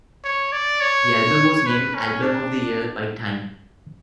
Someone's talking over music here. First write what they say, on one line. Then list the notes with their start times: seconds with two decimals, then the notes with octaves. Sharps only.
The album was named "Album of the Year" by "Time".
0.24 C#5
0.52 D5
0.81 C#5
1.66 B4
1.95 C#4
2.23 D4